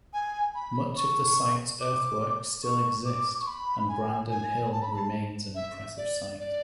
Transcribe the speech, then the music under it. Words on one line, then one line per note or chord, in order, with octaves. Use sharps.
Much of the site's earthworks still exist and Brandon Hill remains an impressive sight.
G#5
B5
C#6
D6
C#6
D6
C#6
B5
G#5
G#5
A5
B5
A5
E5
D5
D5